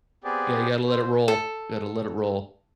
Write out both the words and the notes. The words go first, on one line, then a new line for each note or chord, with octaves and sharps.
Yeah, you gotta let it roll. You gotta let it roll.
B3 C4 G4 G#4 D5
C5
A4